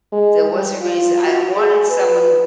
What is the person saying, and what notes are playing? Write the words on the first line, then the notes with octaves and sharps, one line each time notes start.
There was a reason, I wanted someone
G#3
G3
F4
F#4
G#4
B4